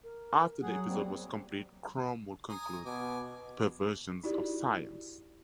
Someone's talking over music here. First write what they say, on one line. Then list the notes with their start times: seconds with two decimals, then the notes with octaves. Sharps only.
After the episode was complete, Chrome would conclude "Perversions of Science".
0.04 A#4
0.62 F#3 G#4 F#5
0.87 G3 A#3 C4
2.49 G#5 A#5 D#6
2.86 B2 G#5 D6
4.24 D#4 E4 F#4 G4 D5